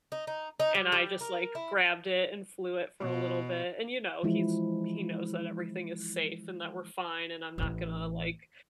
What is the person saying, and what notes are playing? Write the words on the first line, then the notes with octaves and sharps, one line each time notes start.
and I just, like, grabbed it and flew it for a little bit, and you know, he's he knows that everything is safe, and that we're fine, and I'm not gonna, like,
D#4
D#4
D#4
G3
G3
A#4
E4
B2
E3 F3 G#3 E4
A1 E3